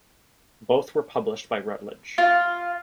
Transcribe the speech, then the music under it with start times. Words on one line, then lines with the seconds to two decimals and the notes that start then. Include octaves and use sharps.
Both were published by Routledge.
2.18 F4